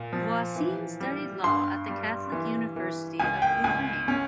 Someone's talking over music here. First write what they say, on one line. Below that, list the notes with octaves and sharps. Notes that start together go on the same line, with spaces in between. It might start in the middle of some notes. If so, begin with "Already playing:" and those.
Voisin studied law at the Catholic University of Louvain.
Already playing: A#2
F3
E3
G3
G2 C6
G3
E3
E3
C#2 G#5
G5
C#2 G#5
C#4